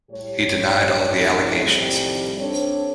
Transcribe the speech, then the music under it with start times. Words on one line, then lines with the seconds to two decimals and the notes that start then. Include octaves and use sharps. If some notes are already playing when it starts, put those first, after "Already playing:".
He denied all the allegations.
0.11 A2 G3 G4 C#5
1.17 G2 A#2 C#3 F3 A3 D#4
1.67 F2 A2 C3 D#3 G3
2.39 C4 D4 A4 C5 C#5